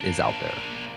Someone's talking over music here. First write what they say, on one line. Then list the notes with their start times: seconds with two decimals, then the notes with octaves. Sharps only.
is out there.
0.01 A#3 D4